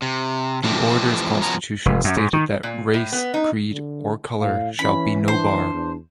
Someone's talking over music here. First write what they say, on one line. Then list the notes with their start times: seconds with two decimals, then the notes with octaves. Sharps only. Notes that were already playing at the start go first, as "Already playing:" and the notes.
The Orders constitution stated that "race, Creed or Color shall be no bar".
0.02 C3
0.64 C3 E3 F3 A3 C4 D4
1.42 F3 B3 C#4 F#4 A#5
1.86 F1
2.04 F#2
2.17 G#2
2.33 D#3
2.63 A#2
2.94 A2
3.12 B3
3.34 D#4
3.71 D3
4.40 A2 F5
4.79 E3 C#4 B5
5.28 D4 C5
5.74 E2